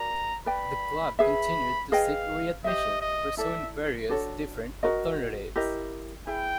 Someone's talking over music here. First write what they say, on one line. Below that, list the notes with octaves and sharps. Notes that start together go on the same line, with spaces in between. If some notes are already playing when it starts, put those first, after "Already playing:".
The club continued to seek readmission, pursuing various different alternatives.
Already playing: F#4 A#4 D5 A#5
B4 D5 G5 B5
G#4 B4 E5 B5
G#4 B4 D#5 F5 G5
G4 C5 D#5 E5
D#5
E4 A4 D5 E5
D4 F#4 A4 C#5
F#4 A#4 D#5
E4 G4 A#4 D#5
E4 G#4 B4 G5